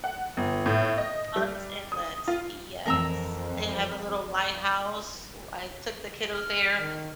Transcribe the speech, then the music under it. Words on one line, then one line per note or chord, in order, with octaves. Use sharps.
Ponce Inlet, yes. They have a little lighthouse, wh I took the kiddos there.
F#5
G1
A2
D#5
G3
D#6
F4
F2 E3 A3 C4 A#4 A#5 E6
F6
D#3